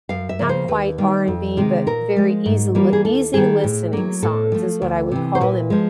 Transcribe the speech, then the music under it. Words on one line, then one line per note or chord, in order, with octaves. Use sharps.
not quite R&B, but very easil easy listening songs is what I would call them,
F#2 F5
E5
C#3 F3 A#3
C5
D#2 B4
D#3 G3 A#3
F2
C3 D#3 G#3
A#2 A#4
F3 G#3
G#2
E3 G3 A#3
G#4
D#2 A4
D#3 G3 G#4
A2
F#3 A#3
A2 A4
F3 A3
D2
C3 E3
C5
A#2 B4
F3 G#3